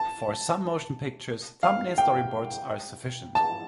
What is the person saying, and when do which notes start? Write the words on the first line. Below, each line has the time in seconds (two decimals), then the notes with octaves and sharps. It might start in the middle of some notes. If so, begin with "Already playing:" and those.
For some motion pictures, thumbnail storyboards are sufficient.
Already playing: A5
1.63 F5
1.98 G5
3.35 A5